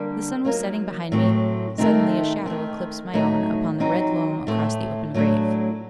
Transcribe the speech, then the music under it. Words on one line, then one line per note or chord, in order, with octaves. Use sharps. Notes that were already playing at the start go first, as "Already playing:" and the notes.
The sun was setting behind me: suddenly a shadow eclipsed my own upon the red loam across the open grave.
Already playing: D3 G3 A#3 D4
F#3 A#3 D#4
A2 F#3 C4
D#3 A3 C4 D#4
D#3 A3 C4
A2 F#3 A3 D#4
F#3 C4 D#4
A2 A3 C4
A2 F#3 A3 D4